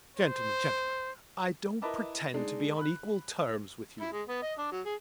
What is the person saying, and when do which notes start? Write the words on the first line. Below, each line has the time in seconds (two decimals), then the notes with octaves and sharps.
Gentlemen, gentlemen, I don't pretend to be on equal terms with you.
0.17 C5
1.82 E4 A#4 B4 D#5 A5 D6
2.34 G#3 D4 D#4
2.76 B5 F#6
4.01 E4
4.12 G#3
4.28 B3
4.43 D#5
4.58 D4
4.72 F#3
4.86 G#4